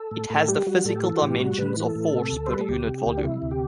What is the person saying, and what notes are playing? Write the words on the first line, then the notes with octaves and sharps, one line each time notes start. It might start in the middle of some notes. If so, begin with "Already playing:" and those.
It has the physical dimensions of force per unit volume.
Already playing: A4
A2
A2
A4
G3 G4
G3 F#4
A2 A4
G4
E3 A4
F#4
A2 G4
G3 F#4
A2 B4
E3 B4
A4
A2
C3
D2
C5
G3 B4
A4
D2 G4
C3
D2
D4
C3 E4
D2
G4